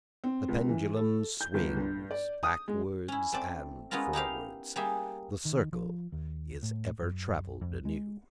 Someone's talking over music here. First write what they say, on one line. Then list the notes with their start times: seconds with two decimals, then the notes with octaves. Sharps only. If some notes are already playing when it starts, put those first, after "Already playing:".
The pendulum swings backwards and forwards. The circle is ever travelled anew.
0.24 C4
0.48 C#2
0.69 E3
0.96 A4
1.41 G6
1.54 G1
1.77 G2
2.11 D5
2.43 D#6
2.68 G#3
3.08 C#4 E4
3.32 A3 C4 D5
3.91 G#3 B3 C#4 E4 F4 A#4
4.13 D#4 E4 G4 F5
4.76 G3 A#3 G4 G#4 E5
5.45 D#3
5.73 F3
6.12 D#2
6.63 A2
7.02 F#2
7.61 F2
7.85 G#3